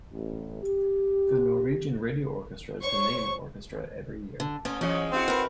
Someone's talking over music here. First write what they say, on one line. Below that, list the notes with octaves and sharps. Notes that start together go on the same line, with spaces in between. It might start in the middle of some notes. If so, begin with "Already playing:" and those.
The Norwegian Radio Orchestra is the main orchestra every year.
A1
G4
C5 C#5 C#6
D3
A3 C#4
E3 G#3 C#4 C#5 D#5
G#2 C4 E4 F#4
A#4 B4